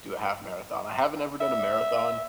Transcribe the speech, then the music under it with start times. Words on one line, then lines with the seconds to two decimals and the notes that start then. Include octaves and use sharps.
do a half marathon," I haven't ever done a marathon,
1.41 E5